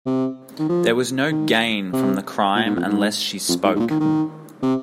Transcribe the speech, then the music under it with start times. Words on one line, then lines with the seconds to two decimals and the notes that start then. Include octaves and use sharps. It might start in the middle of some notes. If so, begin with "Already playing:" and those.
There was no gain from the crime unless she spoke.
0.06 C3
0.59 D#3
0.69 F3
1.31 D#3
1.93 C3
2.56 A#2
2.66 G#2
2.76 F2
2.87 G#2
3.48 F2
3.64 G#2
3.75 G#2
3.80 A#2
3.90 D#3
4.00 D#3
4.62 C3